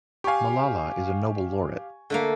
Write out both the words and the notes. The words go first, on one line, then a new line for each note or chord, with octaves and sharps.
Malala is a Nobel laureate.
G4 F5 G#5 C#6
D3 A3 A#3